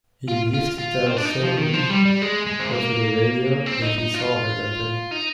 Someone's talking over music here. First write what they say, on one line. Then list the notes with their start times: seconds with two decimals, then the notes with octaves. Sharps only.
He leaves to tell So-eun over the radio that he saw her that day.
0.28 F4
0.54 F4
0.79 F4
1.07 C4
1.17 D4
1.25 D#4
1.41 F3
1.57 D#3
1.73 F3
1.90 G3
2.05 G3
2.22 G#3
2.46 G#3
2.59 C4
2.69 A#3
3.66 C4
3.82 D#4
3.98 D#4
4.14 F4
5.11 D#4